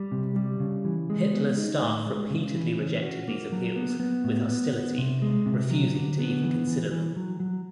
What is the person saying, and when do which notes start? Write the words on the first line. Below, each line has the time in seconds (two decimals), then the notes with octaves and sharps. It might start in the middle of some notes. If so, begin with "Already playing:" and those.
Hitler's staff repeatedly rejected these appeals with hostility, refusing to even consider them.
Already playing: G3
0.12 C3
0.36 G3
0.60 C#3
0.85 E3
1.10 G#3
1.33 B3
1.58 D#4
1.82 A2
2.06 G#3
2.30 C#3
2.55 E3
2.79 C#4
3.03 F#4
3.28 A#3
3.52 F#3
3.76 B3
4.00 B3
4.24 A2
4.49 B3
4.73 B3
4.98 C3
5.22 G#3
5.46 C3
5.70 F#3
5.94 D3
6.19 B3
6.43 E3
6.67 E3
6.91 E3
7.16 F#3
7.40 F#3